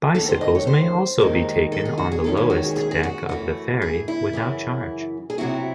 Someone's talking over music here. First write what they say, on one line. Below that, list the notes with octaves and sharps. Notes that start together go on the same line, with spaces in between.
Bicycles may also be taken on the lowest deck of the ferry without charge.
E2 D#3 A3 A4
C5
D#5
C#5
C5
D#2 D#3 G#3 D#4
A4
G#4
F#4
G#4
E2 D#3 G#3 C#4 A4
G#4
F#4
G#4
G#4
G#4
F#4
F#2 E3 A3 F#4
G#4
E4
F#2 C#3 E3
G#4
C3 F#3 C4 E4 F#4